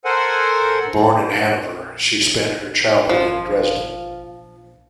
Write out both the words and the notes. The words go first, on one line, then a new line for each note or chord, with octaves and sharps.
Born in Hanover, she spent her childhood in Dresden.
A4 A#4 C5 F#5 G#5
G#1 F3 F4 F5